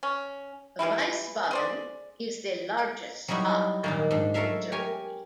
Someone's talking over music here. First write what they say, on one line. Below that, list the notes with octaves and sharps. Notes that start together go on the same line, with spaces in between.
Wiesbaden is the largest spa town in Germany.
C#4
E3 G3 G#3 E4
G#4 C5 D5
F#3 G3 D#4 E4 F#4
A#2 D#3 A#3
G#2 D4
F#3 A3 A4 A#4 E5 F5
G4 A#4 C#5 G#5